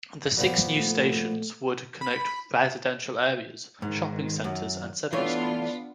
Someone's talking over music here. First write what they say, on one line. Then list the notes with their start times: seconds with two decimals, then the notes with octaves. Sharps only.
The six new stations would connect residential areas, shopping centers and several schools.
0.37 A#2 F3 B3
0.77 A3
2.01 B5
3.82 G#2 D#3
4.44 F#2
5.13 E3 A3 B3 D4 F4 C#5